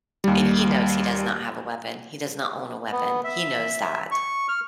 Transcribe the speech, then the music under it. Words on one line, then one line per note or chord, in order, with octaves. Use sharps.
And he knows he does not have a weapon, he does not own a weapon, he knows that.
D#2 G3
B3
E5
C#6
F6